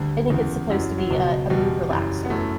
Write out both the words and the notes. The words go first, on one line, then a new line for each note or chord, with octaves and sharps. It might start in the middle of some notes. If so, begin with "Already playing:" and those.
I think it's supposed to be a a mood relaxer.
Already playing: D2 D3 G3
E2 C#3 E3
F#2 E3 F#3
F#3
C#2 B2
E2 B2 G3
F#2 C#3 E3
B3
F#2 E3 A3